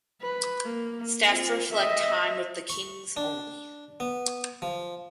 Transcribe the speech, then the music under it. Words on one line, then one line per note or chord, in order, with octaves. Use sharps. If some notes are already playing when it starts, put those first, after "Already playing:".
Stats reflect time with the Kings only.
B4
A#3
C4 F4
D#5 E5
C#6
D4
B3
F3